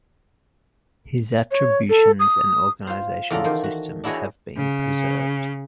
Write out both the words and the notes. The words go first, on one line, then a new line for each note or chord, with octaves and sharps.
His attributions and organizational system have been preserved.
C#5
A4
D#6
F4 C5
E2 C#3 F4 A4 D5 A#5
E2 D#3 C5
F#4
D4 E4 F#4 G#4 C#5 D#5
C#3